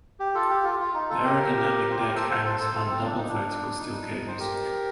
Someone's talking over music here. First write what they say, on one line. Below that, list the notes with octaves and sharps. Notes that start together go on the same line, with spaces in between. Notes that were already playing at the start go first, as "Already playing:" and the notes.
The aerodynamic deck hangs on double vertical steel cables.
G4
F4 A4
G4
F4
F4
D#4
F4 A4
G4 A#4
C5
G4 A#4
A4 C5
A4 C5
A4 C5
A4 C5
F4 A4
C4
D4
D#4
D4
D#4
C5
G4 A#4